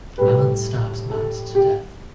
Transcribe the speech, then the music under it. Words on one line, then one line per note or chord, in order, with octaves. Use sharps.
Alan stabs Matt to death.
A2 G3 B4
A4
G4